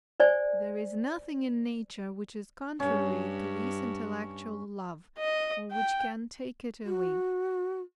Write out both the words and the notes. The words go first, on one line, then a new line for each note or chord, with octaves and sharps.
There is nothing in nature, which is contrary to this intellectual love, or which can take it away.
C5 D5 G#5
G2 C#4
D#5
G5
F#4